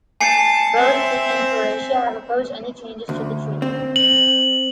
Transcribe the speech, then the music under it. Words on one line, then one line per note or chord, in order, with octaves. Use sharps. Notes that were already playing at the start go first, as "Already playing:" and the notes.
Both it and Croatia have opposed any changes to the treaty.
G#5 A5 C7 C#7
C4 E5
D2
C4
F#7